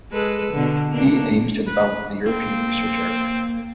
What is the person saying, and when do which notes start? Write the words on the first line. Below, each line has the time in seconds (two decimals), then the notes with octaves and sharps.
He aims to develop the European Research Area.
0.12 G#3 A4 B4
0.53 B2 D3
0.91 B2 A#3 D4
1.67 B4
2.26 A#3 C4